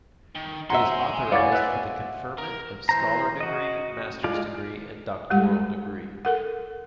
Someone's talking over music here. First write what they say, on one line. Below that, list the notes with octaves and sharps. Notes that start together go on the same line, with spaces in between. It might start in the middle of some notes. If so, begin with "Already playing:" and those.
It is authorized for the conferment of Scholar degree, master's degree and doctoral degree.
D#3
C#4 C5 E5 F#5 G#5 A#5 C6
E4 C#5 D5 F5 F#5 A6
B2 E5
A#4
E3 C5 A#5
F#4 D#5
G#3 F4 D5
G3 G#3 G4 F#5
A4 A#4 F#5